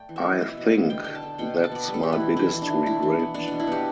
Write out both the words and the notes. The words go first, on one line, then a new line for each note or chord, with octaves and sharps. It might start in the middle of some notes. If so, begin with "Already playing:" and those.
I think that’s my biggest regret.
Already playing: A3 D5 G5
E3
E5
E3
B2 E5
B2
B2
D3 G5
D3 G5
A5
D3
B2 G5
B2
A5
B3 D5
G3 B4
A4
E3 G4
E4
E3
E3 E4
E3
D4
E3
E3 E4
E3
B3
B3 D4
B2 D4
E4
B3 G4